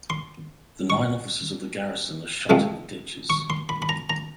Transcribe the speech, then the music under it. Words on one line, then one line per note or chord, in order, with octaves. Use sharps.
The nine officers of the garrison are shot in the ditches.
C6
C#6
C3 F3 G#3 C4
C#6
C6
B5
B5
A#5
A#5